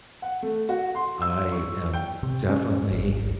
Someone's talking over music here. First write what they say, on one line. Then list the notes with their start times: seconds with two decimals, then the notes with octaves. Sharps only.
I am definitely
0.22 F#5
0.43 A3
0.69 F#4
0.95 C6
1.22 E6
1.52 C#6
1.93 G5
2.23 C3
2.49 C#4
2.91 G#1